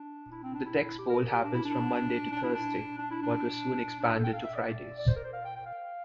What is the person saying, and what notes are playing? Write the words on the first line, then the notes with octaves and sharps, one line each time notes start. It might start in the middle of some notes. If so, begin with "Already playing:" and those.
The text poll happens from Monday to Thursday, but was soon expanded to Fridays.
Already playing: D4
E4
C4
D4
E4
G4
A#4
G4
D4
E4
D4
D4
E4
D4
D4
E4
D4
D4
A4
G5
F5
E5
D5
D5
C5
A#4
C5
F5
G5
G5
F5